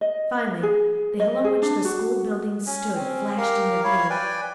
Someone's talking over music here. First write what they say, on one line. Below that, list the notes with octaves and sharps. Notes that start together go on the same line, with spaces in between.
Finally the hill on which the school buildings stood flashed into view.
D#5
G#4
D#5
G#4
D4
F#4
C#4
C4 C#4
G4 A#4 F5
E4 C#5 F5
B4 D5 G5 G#5